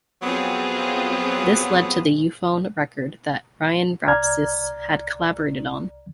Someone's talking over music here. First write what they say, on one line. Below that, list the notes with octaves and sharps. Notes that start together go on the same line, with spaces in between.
This led to The Euphone record that Ryan Rapsys had collaborated on.
F2 F#3 B3 C4 F4 G#4
C2 D5 A#5 F6 G#6